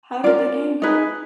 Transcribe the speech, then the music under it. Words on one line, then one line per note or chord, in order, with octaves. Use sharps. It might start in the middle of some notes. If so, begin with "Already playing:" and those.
How did the game go?
F4 A#4 D5
D#4 G#4 B4